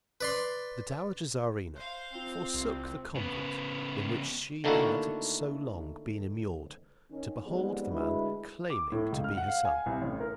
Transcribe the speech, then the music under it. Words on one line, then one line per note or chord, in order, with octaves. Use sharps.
The Dowager Czarina forsook the convent in which she had so long been immured to behold the man claiming to be her son.
B4 D5 C6
C5 F5
C4 F4 F7 G7
C2
C#3 B3
D3 D#3 A3 A#3 E4 F#4
D#3 C#4
F2 G#2 G3 B3
D2 G#3 E4 B4
D6
A2
C#2
F6
F#5
F5
G#5
C2
A1
A#4